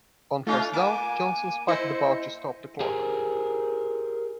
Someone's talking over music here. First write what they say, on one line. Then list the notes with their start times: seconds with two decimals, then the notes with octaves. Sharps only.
On first down, Johnson spiked the ball to stop the clock.
0.47 A3 C#4 D#4 F4 F5
0.73 A#3 G#5 D6
1.68 E4 C5 D#5 C#7
2.80 G4 G#4 A#4 C5 G#5